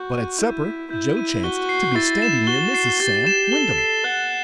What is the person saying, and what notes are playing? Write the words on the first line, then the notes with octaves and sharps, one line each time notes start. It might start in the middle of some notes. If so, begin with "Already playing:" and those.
But at supper Joe chanced to be standing near Mrs. Sam Wyndham.
Already playing: F#4 G6
D#7
E4 G6
B6
E4 G6
D#7
F#4 G7
C7
E4 A6
E7
F#4 G7
C7
G4 A6
E7
A4 G7
C7
F#5 F#6